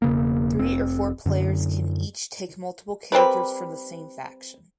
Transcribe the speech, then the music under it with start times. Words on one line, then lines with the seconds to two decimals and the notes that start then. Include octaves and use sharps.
Three or four players can each take multiple characters from the same faction.
0.02 E1 C#3 A#3
0.59 F1 C4
1.26 F#2 D3
3.12 G3 C4 A#4 B4